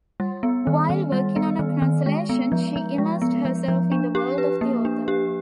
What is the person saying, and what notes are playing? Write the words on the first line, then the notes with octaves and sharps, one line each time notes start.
While working on a translation, she immersed herself in the world of the author.
G3
B3
D#3
D#3
G3
B3
D#3
D#3
G#3
B3
F3
F3
G#3
B3
F3
F3
D4
G4
B4
A#3
D4
G4